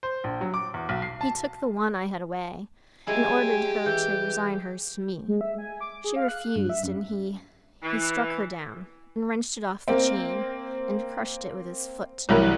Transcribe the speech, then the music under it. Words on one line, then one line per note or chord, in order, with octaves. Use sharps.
He took the one I had away, and ordered her to resign hers to me; she refused, and he--he struck her down, and wrenched it off the chain, and crushed it with his foot.'
C5
A#1
F#3
D6
E2
B1
C7
A5
F#3 G#3 E4 G4 G#5
E3 G6
G#3
E5
G#5
D6
G#4
F5
F#6
G2
E5
F#2
E3
A#3 C4
C2 E3 F#3 G3 A#4 F#6